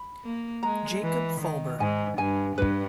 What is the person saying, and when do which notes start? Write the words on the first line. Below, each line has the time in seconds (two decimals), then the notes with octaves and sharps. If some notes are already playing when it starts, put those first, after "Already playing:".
Jakub Fober.
Already playing: B5
0.25 A#3
0.63 G#3 A#5
1.03 E3
1.41 D#3
1.80 G#2 G#5
2.18 G2 G#5
2.57 G2 B4